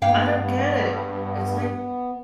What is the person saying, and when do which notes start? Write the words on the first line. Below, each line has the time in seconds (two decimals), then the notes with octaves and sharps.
I don't get it, it's like
0.02 G2 A#3 B3 F5 G5